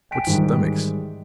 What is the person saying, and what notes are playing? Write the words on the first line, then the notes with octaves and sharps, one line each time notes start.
"What stomachs!"
G5 G#5 B6 D7
G#2 D#3 E3 G3 G#3